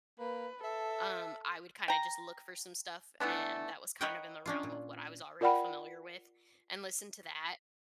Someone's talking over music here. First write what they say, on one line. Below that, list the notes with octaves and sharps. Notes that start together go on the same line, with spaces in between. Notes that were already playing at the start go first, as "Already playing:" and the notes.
um, I would, kinda, just, look for some stuff, and that was, kind of, in the realm of what I was already familiar with, and listen to that,
A#3 B4
A4 E5
G5 A#5
E3 A3 B3 D4
A#4 B4 C#5 D#5 F#5 G5
C#4 D4 F4
A#2
F4 A#4 D5 F#5 G5 B5